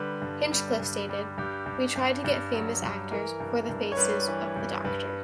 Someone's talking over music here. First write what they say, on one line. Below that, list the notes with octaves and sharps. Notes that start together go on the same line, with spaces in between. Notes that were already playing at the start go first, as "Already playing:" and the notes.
Hinchcliffe stated, We tried to get famous actors for the faces of the Doctor.
Already playing: D3 G3 B4
G2
G3
G2
G3
G2 G4
G2
G2
G2
F#3
G2
E3 A#4
G2
G2
C#5
G3 B4
E3
G2
G2 B4